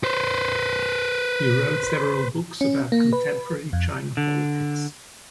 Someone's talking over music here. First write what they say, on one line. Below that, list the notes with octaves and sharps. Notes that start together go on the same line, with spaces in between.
He wrote several books about contemporary China politics.
B4 C5
C#4
A#3
B4
F2
D3